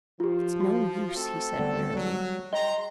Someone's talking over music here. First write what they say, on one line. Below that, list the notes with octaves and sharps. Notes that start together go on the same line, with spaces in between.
"It's no use," he said wearily.
F3 F4 G4
F#4
A3 C4 A4
D3 G3 B3
F#3 G3
G#4 D#5 G5 A#5 C6